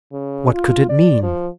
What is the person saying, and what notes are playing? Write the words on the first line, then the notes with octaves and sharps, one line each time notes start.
What could it mean?
C#3
F4
D5
F3